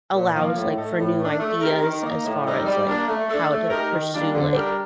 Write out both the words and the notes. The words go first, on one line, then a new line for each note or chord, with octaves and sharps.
allows, like, for new ideas as far as, like, how to pursue, like
A#2
F3 A#3
A2
A3 D#4 A4
A2
A3 D4
A3
C4 G4 A#4
D#3
A#3 D#4
A2
G3 C4 D#4 A#4
G3
A#3 D4
A3
D4 A4
A3
D#4 G4 A#4
D#3
G3 A#3 D4 F4
D3
G3 D4 G4 A#4